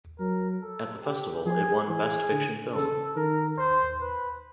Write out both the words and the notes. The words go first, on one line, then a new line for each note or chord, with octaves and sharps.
At the festival it won Best Fiction Film.
F#3 A#4
A4
G4
F3 G#4
E3 G#4
D3
C#3 A4
D#3 A#4
C5
B4